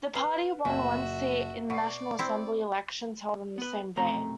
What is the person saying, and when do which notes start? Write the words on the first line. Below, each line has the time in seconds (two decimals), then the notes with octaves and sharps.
The party won one seat in National Assembly elections held on the same day.
0.15 B4 F5
0.65 F#1 A#2 F#4 E5 A5
1.70 B2 D5 C#6 C7
2.19 C4 E4
3.58 B3 B4
3.96 B1 F#2 C3 A3 A#5